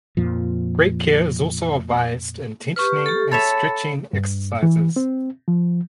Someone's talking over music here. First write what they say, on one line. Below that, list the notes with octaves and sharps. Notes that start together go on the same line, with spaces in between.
Great care is also advised in tensioning and stretching exercises.
F2 A#2 F3
G4 B4 C#6 F6
G4 A4
A4 C#5 E5 B5 A6
G2
E3
C4
F3